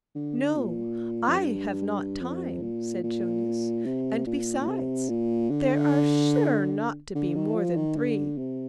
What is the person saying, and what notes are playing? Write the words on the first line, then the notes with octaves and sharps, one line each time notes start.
'No, I have not time,' said Jonas, 'and besides, there are sure not to be more than three.
D3
A#2
F2
G2
F2
A#2
A#2
C3
A#2
A#2
C3
A#2
D3
D3
D#3
F3
D#3
D3
C3